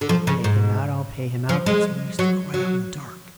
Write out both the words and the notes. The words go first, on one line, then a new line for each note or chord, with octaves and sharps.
'I'll pay him out, I'll pay him out!' That's what I used to cry out in the dark.
D3
F3
C#3
G#2
F3
G#3
F#3
F#3